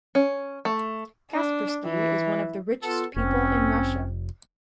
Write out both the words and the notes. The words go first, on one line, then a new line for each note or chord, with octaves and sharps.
Kaspersky is one of the richest people in Russia.
C#4
A3
D4
E3
B3 F4 A4
F1 C4 C#4